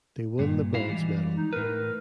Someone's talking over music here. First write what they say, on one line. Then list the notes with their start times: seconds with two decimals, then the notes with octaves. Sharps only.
They won the bronze medal.
0.39 G2 A#2
0.74 E4 F#4 F5
0.87 E3 G3 G#3
1.35 D#4
1.53 A2 A#4 B4